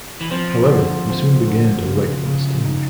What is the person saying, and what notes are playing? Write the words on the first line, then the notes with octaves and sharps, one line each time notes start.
However, he soon began to write for the stage.
E3
F3 C4
D3
C4
D3
C#3
C#3
D#4